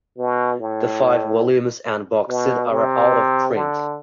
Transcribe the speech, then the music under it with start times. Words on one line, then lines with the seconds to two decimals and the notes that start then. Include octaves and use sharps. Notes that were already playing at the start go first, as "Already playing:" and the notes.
The five volumes and box set are out-of-print.
0.18 B2
0.60 A2
2.29 B2
2.71 C3
3.55 D3